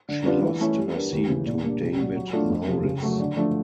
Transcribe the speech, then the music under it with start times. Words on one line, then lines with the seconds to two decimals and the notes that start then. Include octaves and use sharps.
She lost her seat to David Norris.
0.09 D3
0.25 G3 B3 D4 F4
0.42 E3
0.60 A3 C#4 E4
0.77 G3
0.94 B3 D4 G4 A#4
1.12 D#2
1.29 C#3 E3
1.46 A#2
1.63 G3 A#3 D4
1.81 C2
1.99 A#2 F#3
2.16 F#3
2.33 A3 D4 F4 A4
2.50 F2
2.68 C3 F3
2.85 C#3
3.03 F#3 A3
3.20 D3
3.37 F3 A3 D4